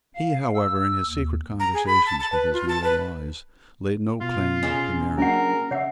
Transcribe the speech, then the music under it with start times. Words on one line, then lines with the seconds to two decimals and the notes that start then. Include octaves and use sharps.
He however, in his secret conversations with his new allies, laid no claim to merit.
0.15 F5
0.55 E6
1.07 D#2
1.60 A#5
1.74 G#4
1.87 B5
2.06 A5
2.20 A5
2.32 B4
2.53 F4
2.69 A5
2.84 B4
4.21 B2 F4
4.63 C#3
5.18 F#3 A#3 C#4 D4 A#4 F#5
5.71 C#3 C#5 E5 F#5